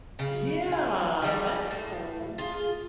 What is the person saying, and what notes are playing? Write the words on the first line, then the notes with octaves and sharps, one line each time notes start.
Yeah, that's cool.
C#3
G#5
F3 G3 G#4
A2
F4 G#4